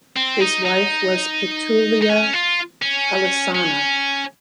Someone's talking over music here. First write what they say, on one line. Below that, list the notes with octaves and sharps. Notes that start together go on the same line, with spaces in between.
His wife was Pitolua Alesana.
C4
D#4
D#4
D#4
C#4
F4
C#4
C#4